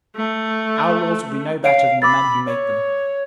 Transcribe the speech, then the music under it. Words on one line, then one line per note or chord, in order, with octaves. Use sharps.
Our laws will be no better than the men who make them.
A3
C#5 F5 D7
B5 D6 E6 A6
C#5